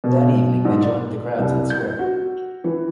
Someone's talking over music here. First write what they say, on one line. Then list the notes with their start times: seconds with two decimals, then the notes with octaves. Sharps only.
That evening, they joined the crowds in the square.
0.04 B2
0.65 G#2
0.81 D5
1.38 C2
1.70 G6
1.99 F#4
2.64 E3